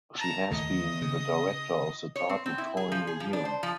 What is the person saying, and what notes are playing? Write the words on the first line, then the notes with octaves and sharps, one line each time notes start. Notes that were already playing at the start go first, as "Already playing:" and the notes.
She has been the director of the Tartu Toy Museum.
A5 A#5
D#2 D3 A3 D#5 D#6
C#3
C#5
C4
C4
E4
G#4
F3
G#4
F3
D4
C5
F3